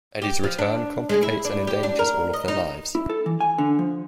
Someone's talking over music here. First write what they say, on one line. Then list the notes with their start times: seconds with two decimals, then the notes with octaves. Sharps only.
Eddie's return complicates and endangers all of their lives.
0.22 G4
0.44 F3
0.59 D4
1.09 G#3
1.22 E4
1.45 D4
1.67 G4
1.83 D4
1.99 A#4
2.33 D#5
2.48 D#4
2.95 E4
3.09 A4
3.26 E3
3.40 G#5
3.58 D3
3.79 F3